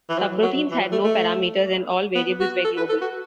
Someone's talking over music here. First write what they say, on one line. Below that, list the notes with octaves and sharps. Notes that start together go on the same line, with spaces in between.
Subroutines had no parameters and all variables were global.
E3
F#3
F#3
E3
F#3
A3
A3
B3
F#4
A4
B4
A4
F#4